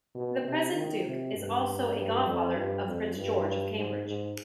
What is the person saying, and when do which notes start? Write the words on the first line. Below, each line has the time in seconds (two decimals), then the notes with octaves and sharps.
The present Duke is also a godfather of Prince George of Cambridge.
0.15 B2
0.44 C3
0.75 D#3
1.05 C3
1.35 G2
1.95 G2
2.25 F2
2.55 G2
2.86 F2
3.16 G2
3.76 G#2
4.06 G#2